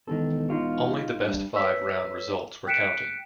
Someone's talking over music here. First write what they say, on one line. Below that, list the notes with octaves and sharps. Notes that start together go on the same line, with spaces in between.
Only the best five round results were counted.
E1 D#3 A4
D#4 F4 F#4
G2
B4 C#5 E6 B6
G5 F#6 B6 C#7 D7 E7